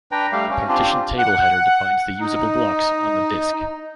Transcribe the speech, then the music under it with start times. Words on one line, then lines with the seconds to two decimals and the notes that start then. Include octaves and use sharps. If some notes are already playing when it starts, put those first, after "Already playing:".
The partition table header defines the usable blocks on the disk.
0.12 D4 B4 G5 A#5
0.32 G3 A3 G4 F5
0.50 C#4
0.68 C4 D4 F4 G4
1.18 F#5
2.21 D#4